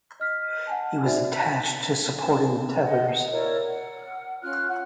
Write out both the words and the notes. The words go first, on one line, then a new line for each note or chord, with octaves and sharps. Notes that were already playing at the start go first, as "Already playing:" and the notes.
He was attached to supporting tethers.
D#5 F6 B6
F#5 G#5 A5
D#4 F#4 C5 D5 E5
B6
G#5 E7
D#5 F#5
E4 A#4 C#5 D5
F#5
C#4 F4 F6 F#6
F#5